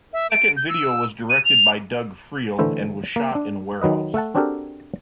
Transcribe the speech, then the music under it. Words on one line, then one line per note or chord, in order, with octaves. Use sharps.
The second video was directed by Doug Freel and was shot in a warehouse.
E5
D7
G6
E6
D#7
F7
D3 E3 A3 E4 C5
A#3
D4
D#3 F#3 B4 D#5
A3 A4 F#5 A5
C4 D4 F#4 G4 A4 A#4